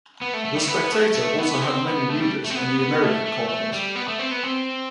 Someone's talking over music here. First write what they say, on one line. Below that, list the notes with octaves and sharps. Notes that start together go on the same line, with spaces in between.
"The Spectator" also had many readers in the American colonies.
B3
A3
A3
G3
A3
B3
A3
A3
B3
C4
B3
A3
G3
A3
C4
B3
B3
A3
A3
A3
G3
B3
A3
C4
B3
C4